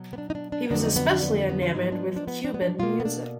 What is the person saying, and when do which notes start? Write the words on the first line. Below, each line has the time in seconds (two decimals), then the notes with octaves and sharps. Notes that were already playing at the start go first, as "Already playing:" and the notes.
He was especially enamored with Cuban music.
Already playing: B2 F#3
0.13 B3
0.18 D4
0.30 D#4
0.35 D4
0.52 D4
0.70 F2 D3 F#3 B3 D4
0.84 D#4
0.96 B3
1.10 D4
1.22 B3
1.36 B3
1.49 B3
1.62 F4
1.75 G#2 F3 B3 D#4
1.92 D4
2.16 D4
2.28 B3
2.45 D4
2.54 B3
2.62 D4
2.79 B2 A#3 F4
3.00 B3
3.05 D4